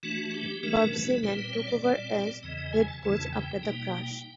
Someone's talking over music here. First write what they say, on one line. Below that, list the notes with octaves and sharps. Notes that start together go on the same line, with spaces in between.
Bob Seaman took over as head coach after the crash.
E3 A3 D4 F#4
F#4
G4
E3 A3 D4 A#4
B4
A#2 G3 C4 B4
B4
C#5
D5
A#2 G3 C4
E2 C#3 E3 D#5
D#5
G#5
A5
E2 C#3 E3 A5
G5
B2 G3 A#3 D#4